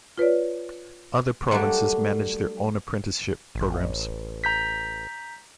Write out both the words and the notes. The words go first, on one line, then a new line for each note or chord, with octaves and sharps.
Other provinces manage their own apprenticeship programs.
F4 B4 C#5 D5
F#3 G3 A3 A#3 D4
A1
A#5 G6 B6